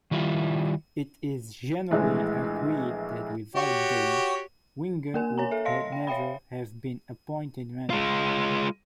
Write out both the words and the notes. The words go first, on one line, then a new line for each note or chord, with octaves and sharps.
It is generally agreed that without Dein, Wenger would never have been appointed manager.
D#3 G3 E4 F4
A#1 E3 G#3 A3
F#4 G4 C#5
A#3 A#4 G#5
C#5 G#5 A#5
A4 E5
D#5 F5 C6 A#6
G5
C#5 E5 F5 G5 B5
G#3 F4